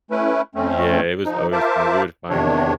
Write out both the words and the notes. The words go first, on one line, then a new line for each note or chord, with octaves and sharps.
Yeah, it was always fun. We would find, like,
A3 C#4 E4 B4
F2 A3 C4 C#4
F3 D#4
F4 A#4 C5 E5 A5 D6
E2 C3 D#3 D4 C#5